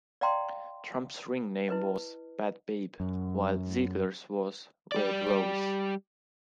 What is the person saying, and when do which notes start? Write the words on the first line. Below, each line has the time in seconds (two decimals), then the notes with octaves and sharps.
Trump's ring name was "Bad Babe" while Ziegler's was "Red Rose".
0.21 D5 D#5 F5 G5 A#5 C6
1.69 E4 B4 D#5
3.00 F#2
4.92 G3 D5